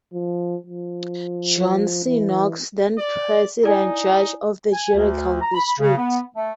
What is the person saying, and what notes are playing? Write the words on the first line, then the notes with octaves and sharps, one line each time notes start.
John C. Knox then President Judge of the Judicial district.
F3
F3
E3
D5
D#4 E4 D5 G#5
G#5
D2
A#5
B5
C#3
B3
A3